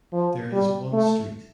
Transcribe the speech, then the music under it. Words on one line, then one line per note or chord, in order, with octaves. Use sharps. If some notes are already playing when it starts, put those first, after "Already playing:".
There is one street.
F3
G3
A3